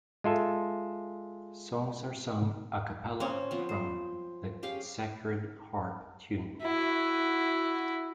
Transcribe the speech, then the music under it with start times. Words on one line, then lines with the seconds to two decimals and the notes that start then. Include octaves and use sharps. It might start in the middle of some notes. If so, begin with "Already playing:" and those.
Songs are sung a cappella from the Sacred Harp tunebook.
0.24 G#3 F4 A4 E5
3.20 C4 C#4 C#5
3.51 F3 B3 C4
3.69 C5
4.63 C#4 G4 G#4 F5
6.62 E4 F#4